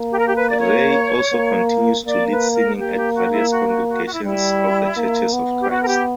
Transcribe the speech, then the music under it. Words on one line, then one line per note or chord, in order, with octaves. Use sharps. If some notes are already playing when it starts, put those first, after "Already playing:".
Ray also continues to lead singing at various congregations of the Churches of Christ.
Already playing: A#3
G4
A#4
G4
B4
D5
C#5
A#3
A#3 D5
B4
A#4
A#3 G4
G4
F#4
E4
F#4
F#4
F#4
F#4
E4
G3 E4
A#3
B3
G4
B3 F#4
A#4
G4